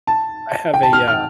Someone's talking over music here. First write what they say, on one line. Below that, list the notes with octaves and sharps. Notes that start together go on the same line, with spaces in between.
I have a, uh
A5
G5
A5
F6
F6